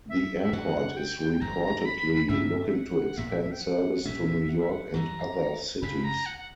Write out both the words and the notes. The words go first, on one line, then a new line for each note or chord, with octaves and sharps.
The airport is reportedly looking to expand service to New York and other cities.
E5
E5
F#2 D3 F#3 F#5
G5
G1 G2 F#3 A#5
B5
G2 D3 A#3 D4 E5
E5
F#5
A#1 A#2 A#3 E5
G5
F#5
A#1 A#2 G3 C#4 E5
F#5
E5
F#5
F#2 E3 G3 A#5
F#1 F#2 C#3 B5
A#5
F#5
F#5